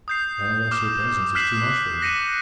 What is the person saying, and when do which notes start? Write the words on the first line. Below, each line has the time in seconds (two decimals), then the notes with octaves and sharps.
'Not unless her presence is too much for you?'
0.08 D#6 G6 C7
0.71 D6 F6 E7
1.35 F6 F#6 B6 C7 E7 F#7
2.01 F#6 A#6 C#7 D#7 E7